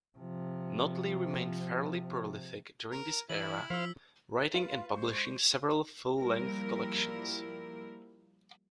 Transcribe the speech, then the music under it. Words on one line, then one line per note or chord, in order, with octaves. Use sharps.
Notley remained fairly prolific during this era, writing and publishing several full-length collections.
C3 F3
A#4
E3 E4 F#7
F3 C5 F5 E6 B6
F4 B4
G#3 C5 C#6
F3 G3 A#3 E4 A#4